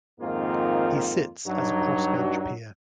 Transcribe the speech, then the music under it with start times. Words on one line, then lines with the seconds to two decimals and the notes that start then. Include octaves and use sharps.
He sits as a crossbench peer.
0.21 F2 G#2 D#3 A#3 C4 F4
1.46 G2 F#3 D#4